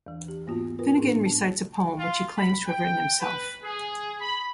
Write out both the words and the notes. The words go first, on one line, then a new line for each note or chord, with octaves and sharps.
Finnegan recites a poem which he claims to have written himself.
E2 E3
G4
G#2 A#3 B3 F4 F#4
A#3 F4 A#4 B4
A2 B3 D4 D#4 G#4
A5
F4
B5
G5
B4
G#4
B5